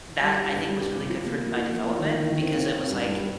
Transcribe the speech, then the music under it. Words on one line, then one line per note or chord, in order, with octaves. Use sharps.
that, I think, was really good for d my development, because it was like,
G3
G4
G2
G3
G4
C3
F3
A#3
A#3
F4
F3
A#3
D#3
D#3
D#3
C4
C4
C4
G2
G2
G3